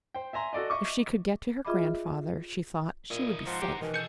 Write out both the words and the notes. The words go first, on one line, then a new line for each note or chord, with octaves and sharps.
If she could get to her grandfather, she thought, she would be safe.
C5 G5
E5 G#5 A#5 C6
F#4 A4 D5 D#5
D#5 E5 C#6 D6
F4 G#4 D#5 E5 B5 D6
A#2 E4 D#5
G#2 F3 F#5 A#5 C6
G4
B2 D#3 E3
G#4 A4 G6 C#7